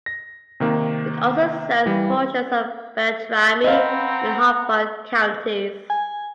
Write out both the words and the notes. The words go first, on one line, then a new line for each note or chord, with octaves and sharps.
It also serves portions of Beltrami and Hubbard counties.
A#6
C3 D#3 A#3
E3 G3
C4 B4 D#5 F5 F#5 A#5
G#5